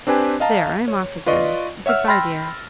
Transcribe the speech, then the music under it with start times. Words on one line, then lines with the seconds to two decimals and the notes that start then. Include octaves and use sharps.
There, I am off again.... Good-bye, dear.
0.07 C4 D4 G4 B4 G#5
0.40 D#5 F5 A5 A#5
0.88 C#5
1.26 F4 B4 D5 D#5 C#6
1.86 C#5 E5 F#5 E6 F6
2.08 G5 B5 C6 F6 A6 A#6